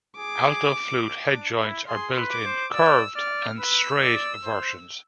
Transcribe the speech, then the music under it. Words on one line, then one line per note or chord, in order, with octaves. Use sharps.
Alto flute headjoints are built in 'curved' and 'straight' versions.
G#4 D6
D4
E4
G#4 C6
B4
D6
C5
D5 E6
D5 F6
B4 E6
D5
C5